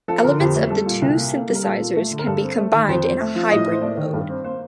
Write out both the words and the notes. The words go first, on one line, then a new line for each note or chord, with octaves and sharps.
Elements of the two synthesizers can be combined in a "hybrid" mode.
F3 A4
D3 A#4
F2 G4
A3
G3 A4
A#2
C2
A#3
A#3 A4
G3
A#4
A#2 A4
A#2
A3
D3
A#4
G2 A4
C4
A3
D#3
F2 C5
C4
A3
F3
A2 D#5
A2
C5
A3 D5
D#3
G2
C4
A#3 C5